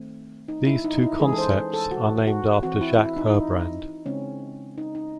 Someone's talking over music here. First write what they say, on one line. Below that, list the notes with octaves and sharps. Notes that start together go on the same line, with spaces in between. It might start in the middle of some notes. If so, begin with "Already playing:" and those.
These two concepts are named after Jacques Herbrand.
Already playing: D#3 A3 C4
D#4
E4
D#4
D#4
E4
E3 G#3 C#4 G#4
A4
C5
A4
F#4
F#4
E3 C4 F#4
E4
E4
D#4
E4
D#4
C#3 G#3 C4 C#4
D#4
D#4